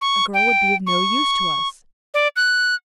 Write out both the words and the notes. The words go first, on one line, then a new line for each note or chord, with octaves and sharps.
A girl would be of no use to us.
C#6
G5
C#6
D5
F#6